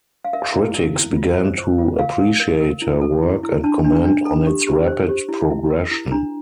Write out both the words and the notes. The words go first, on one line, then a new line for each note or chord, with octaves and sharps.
Critics began to appreciate her work and comment on its rapid progression.
F5
A#4 E5
E4
A#4
E4
F4
C5
C5
F4
A#4 F5
A#4
A#4
A#4
E4
A4
E4
E4
D4 A5
D4
D4
A4
G4
G4
C5
G4
E4
E4
A#4
E4
D4 A#5